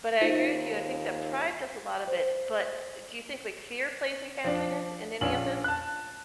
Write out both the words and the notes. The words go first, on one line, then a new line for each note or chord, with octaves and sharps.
but I agree with you. I think that pride does a lot of it, but do you think like fear plays a hand in it in any of this,
D#2 D#4 F4 C5
C5
F3 D4
A#1 C#4 D4 F4 F#7
A5 F#6